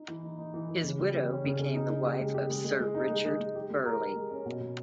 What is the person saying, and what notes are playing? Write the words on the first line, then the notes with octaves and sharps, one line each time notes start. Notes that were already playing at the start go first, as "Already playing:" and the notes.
His widow became the wife of Sir Richard Burley.
Already playing: D#4
E3
D#4
D#4
E3
E3
C#3
G3
G3
C#4
C#3
C#3
D#4
D#4
G4
G#3
G4
G#3
G#3
G#3
D#4
G#3
G#3
G#3
G4
G#3
A#4
G4
G#3
C#4
B2
B2